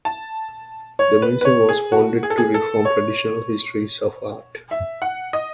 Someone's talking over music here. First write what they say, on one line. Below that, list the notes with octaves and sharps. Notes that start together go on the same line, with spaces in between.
The museum was founded to reform traditional histories of art.
A5
C#5
B4
B4
C#5
G#4
F#4
G#4
A4
G#4
A4
C#5
E5
F#5
D#5